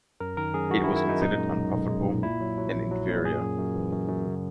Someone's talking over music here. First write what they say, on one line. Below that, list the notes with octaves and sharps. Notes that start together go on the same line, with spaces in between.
It was considered unprofitable and inferior.
F#2 A#4
D#3 A#4
F#2 G#4
F#2 F#4
E4
D#3
E4
F#2 D#4
A#2 D#4
G#3
B1
B1
G#3
A#2
A#2 E4
F#3
F#3
A#1
F#3
A#2
F#2 G#4
F#2
F#2
E3
F#2
F#2
C#3